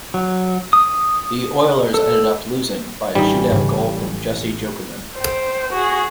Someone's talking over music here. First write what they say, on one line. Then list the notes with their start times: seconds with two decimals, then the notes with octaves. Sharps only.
The Oilers ended up losing by a shootout goal from Jussi Jokinen.
0.14 F#3
0.73 D#6
1.94 A4
3.15 A1 F3 G3 D4 D#4
3.52 G#2 C#3
5.17 C5 G5
5.73 F#4 G#4